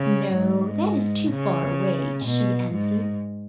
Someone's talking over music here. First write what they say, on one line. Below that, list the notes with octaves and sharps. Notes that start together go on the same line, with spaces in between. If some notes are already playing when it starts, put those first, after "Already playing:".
"No--that is too far away," she answered.
Already playing: C#3
G#2
C#3
B2
G#2